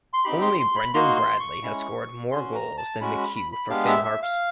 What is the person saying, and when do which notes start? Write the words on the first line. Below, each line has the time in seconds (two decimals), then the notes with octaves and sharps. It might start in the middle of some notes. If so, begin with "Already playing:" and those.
Only Brendan Bradley has scored more goals than McHugh for Finn Harps.
0.13 C6
0.24 C4 D#4 G4 B5
0.41 C6
0.60 C6
0.76 B5
0.94 A#3 D#4 F#4 C6
1.16 C6
1.40 C#6
1.63 G#3 C#4 E4
2.32 C#4 F#4 C6
2.55 A#5
2.77 A5
3.01 G#3 C#4 F#4 B5
3.18 B5
3.36 B5
3.52 B5
3.70 G#3 B3 D4 G4 F5
3.87 E5
4.04 E5
4.22 F5